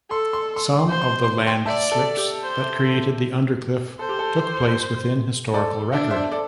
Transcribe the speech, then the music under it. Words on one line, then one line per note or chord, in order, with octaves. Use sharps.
Some of the landslips that created the Undercliff took place within historical record.
A4 C6
C6
C6
C6
C5
C6
C6
G5 C6
D5 E5 A5
A4
G4
C5
A4 C5
G4
A4
A4 D5
D4 E5
D5
C5 E5
A4 D5